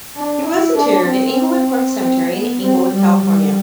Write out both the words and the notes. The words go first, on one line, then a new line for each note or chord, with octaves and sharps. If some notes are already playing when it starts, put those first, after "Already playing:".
He was interred at Inglewood Park Cemetery in Inglewood, California.
D4
E4
D4
C4
C4
B3
C4
G3
G3